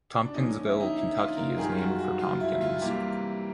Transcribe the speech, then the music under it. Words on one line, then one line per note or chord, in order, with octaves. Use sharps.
Tompkinsville, Kentucky, is named for Tompkins.
D4
D3 F3 A#3 C#4 D#4
E4
D#4
E4
F4
A#4
F#2 D#3 G3 G#4
F4
F#4
F#4
F4
E4
F4
C3 E3 G3 A#3